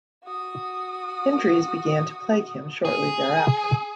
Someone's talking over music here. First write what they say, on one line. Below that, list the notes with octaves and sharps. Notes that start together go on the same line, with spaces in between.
Injuries began to plague him shortly thereafter.
F#4 D#6
G#4